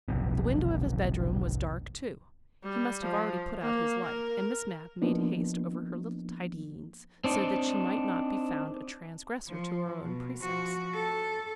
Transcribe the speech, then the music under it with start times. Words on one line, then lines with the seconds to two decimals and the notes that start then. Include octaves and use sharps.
The window of his bedroom was dark too: he must have already put out his light, and Miss Mapp made haste over her little tidyings so that she might not be found a transgressor to her own precepts.
0.08 F1 B1 C3
2.64 G3
3.03 F3
3.61 A#3
4.05 A#4
5.02 F3 A#3 B3 D4 D#4
7.24 C4 D4 D#4
9.48 F3
10.04 B2
10.41 F3 F#4
10.94 A4